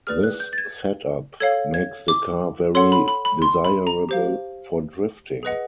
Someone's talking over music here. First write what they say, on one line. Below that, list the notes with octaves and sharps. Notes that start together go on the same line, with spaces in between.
This setup makes the car very desirable for drifting.
G#4 B4 D5 F6
F#6
G6
A6
G#6
A4 C#5 F5 G#6
G#6
D6
A4 C#5 F#5 C6
B5
B5
B5
C6
B5
A#5
G4 C5 F5
G#4 B4 D#5 F#5